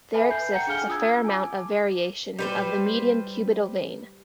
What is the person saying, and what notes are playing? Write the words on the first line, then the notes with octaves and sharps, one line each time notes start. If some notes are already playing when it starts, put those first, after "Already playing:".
There exists a fair amount of variation of the median cubital vein.
A4 B4 E5 G#5 A5 B5
G6 C7
F#5 G5 A#5 G6 C#7
D4 G#4 F5 G#5 F6 G7
D4 F4 D#6 E6 G#6
G#5 A5 D6
G3 B4 C5